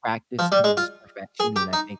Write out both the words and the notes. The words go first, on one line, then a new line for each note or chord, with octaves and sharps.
practice comes perfection, and I think,
F3
G3
G#3
F4
G#4
G4
D#4